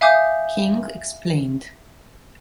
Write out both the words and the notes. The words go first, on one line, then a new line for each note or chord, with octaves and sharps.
King explained.
E5 F5 G#5 D6 D#6 G6